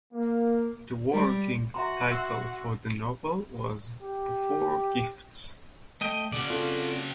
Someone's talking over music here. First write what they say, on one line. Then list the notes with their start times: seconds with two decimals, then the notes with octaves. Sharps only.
The working title for the novel was "The Four Gifts".
0.14 A#3
1.12 G3
1.74 F#4 E5 A#5 C6
2.11 E5 C6 E6 F#6
4.03 G4
6.01 A3 D#5 G5
6.32 C#3 F#4 D5
6.50 C4 F4 A4